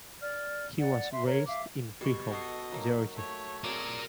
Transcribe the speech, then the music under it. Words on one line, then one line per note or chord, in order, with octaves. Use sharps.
He was raised in Free Home, Georgia.
D5 F6
D5 F#5
E5 C6
A#4 C#5
E5 F5 D6
B2 G4 C#6
A4 D#5 F#5 C#6 C7
F#3 A#3 D#4
A3 C#5
F#3 C4 G#4 A#4 D5